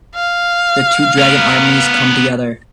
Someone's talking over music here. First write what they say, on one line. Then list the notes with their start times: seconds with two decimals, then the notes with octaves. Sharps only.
The two dragon armies come together.
0.15 F5
1.18 B3 A#4